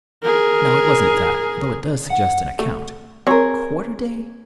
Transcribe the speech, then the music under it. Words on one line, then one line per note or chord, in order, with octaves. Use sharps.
No, it wasn't that, although it does suggest an account. Quarterday?
G#4 A#4
F#5
A3
C4 G#4 A#4 C#5